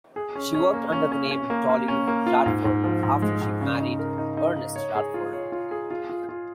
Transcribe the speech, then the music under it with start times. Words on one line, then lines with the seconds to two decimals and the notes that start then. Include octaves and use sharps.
She worked under the name "Dollie Radford" after she married Ernest Radford.
0.16 G#4
0.35 C#4
0.54 C#4
0.73 A#3
0.92 C#4
1.12 C#4
1.31 C#4
1.50 A#3
1.69 A#3
1.88 C#4
2.08 A#3
2.27 F4
2.46 G#2
2.65 G#2
2.84 F3
3.03 G#2
3.22 G#3
3.41 G#2
3.61 C#3
3.80 D#4
3.99 A#4
4.18 D#4
4.37 D#4
4.56 D#4
4.76 C#5
4.95 G#4
5.14 F4
5.33 C#5
5.52 F4
5.71 G#4
5.91 F4
6.09 F4
6.29 F4